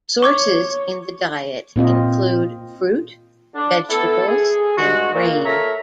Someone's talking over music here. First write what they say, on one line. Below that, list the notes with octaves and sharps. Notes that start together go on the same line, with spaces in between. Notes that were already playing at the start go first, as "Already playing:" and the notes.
Sources in the diet include fruit, vegetables, and grain.
C#5 C#6 D6 G#6
A#2 C4 F4 D#5
D4
A3 B3 E4 A4
G#4
G2 G3 G#3 F#4
A#2
A4 A#4 C#5 E5 A#5